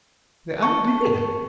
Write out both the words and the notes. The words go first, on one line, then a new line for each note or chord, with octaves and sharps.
The idea!
A5 C#6